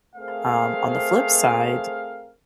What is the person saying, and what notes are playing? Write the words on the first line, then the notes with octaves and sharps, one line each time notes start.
um, on the flip side,
A3 C4 G#4 A#4 C5 F5